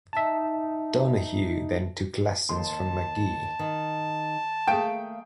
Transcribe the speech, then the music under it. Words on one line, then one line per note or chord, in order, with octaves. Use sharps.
Donahue then took lessons from McGee.
D#4 E5 A5
D#2 A5 C6
D#3
A3 A#3 G#4 F5 G5